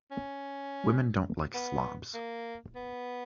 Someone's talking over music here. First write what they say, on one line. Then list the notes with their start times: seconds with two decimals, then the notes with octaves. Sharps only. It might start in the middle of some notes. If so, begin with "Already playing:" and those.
Women don't like slobs.
0.11 C#4
1.54 B3
2.14 A#3
2.75 B3